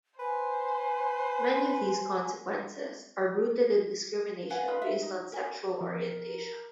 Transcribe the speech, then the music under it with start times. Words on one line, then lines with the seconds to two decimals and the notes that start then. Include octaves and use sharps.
Many of these consequences are rooted in discrimination based on sexual orientation.
0.19 B4 C5 G#5
4.50 B4 F5 F#5 G#5
4.68 D#4 F4 B4
4.82 E5
5.02 D#4
5.32 A#4 G#5
5.81 F3 A#4